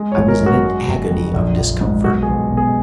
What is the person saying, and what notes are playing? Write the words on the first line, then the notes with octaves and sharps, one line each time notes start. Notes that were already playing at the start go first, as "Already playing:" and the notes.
'I was in an agony of discomfort.
Already playing: G#3
C#5
G#1
A#4
F#2
F#4
G#3
F#1
F2
A#1
A#1
G#2
B1 F#4
G#4
B1
B2
G#4